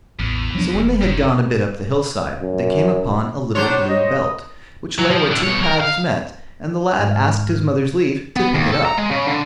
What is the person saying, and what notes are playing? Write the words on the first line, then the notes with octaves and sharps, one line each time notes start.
So when they had gone a bit up the hill-side, they came upon a little blue belt, which lay where two paths met, and the lad asked his mother's leave to pick it up.
A1 E2
F3 F#3 D4
F1
G#2
F#2
F#3 D4 C5 C#5
D#5
F#3
F3
A2 D4
B2 C#5
A#4
F5
G#2 F6
B3
D#2
A4
A#5
G#3
C#3
D3